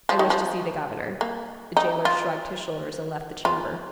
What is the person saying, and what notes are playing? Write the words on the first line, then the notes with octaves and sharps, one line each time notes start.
"I wish to see the governor." The jailer shrugged his shoulders and left the chamber.
F3
D#3
F3
A#3
D#4
F4
F4